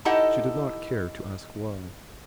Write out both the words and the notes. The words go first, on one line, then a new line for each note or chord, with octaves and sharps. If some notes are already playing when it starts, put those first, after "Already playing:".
She did not care to ask why.
D#4 E4 G4 A4 D#5 F#5